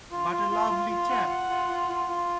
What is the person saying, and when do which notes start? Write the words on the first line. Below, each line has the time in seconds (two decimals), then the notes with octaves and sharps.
But a lovely chap!
0.11 F4
0.32 F4
0.51 F4
0.71 F4
0.91 F4
1.10 F#5
1.30 F#5
1.50 F4
1.69 F4
1.89 F4
2.09 F4